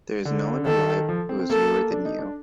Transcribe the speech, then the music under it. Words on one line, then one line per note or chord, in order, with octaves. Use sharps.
There is no one alive who is youer than you.
D3
D#3 A4
F3
C4
C4
A#3 A4
D4
D#4
D4